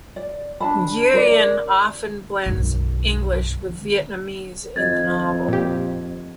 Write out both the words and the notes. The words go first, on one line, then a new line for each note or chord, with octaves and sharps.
Nguyen often blends English with Vietnamese in the novel.
D5
D4 A5 B5
A#4 D5
B1 F#2
F2 D#5 G#6 A6
A#2 G4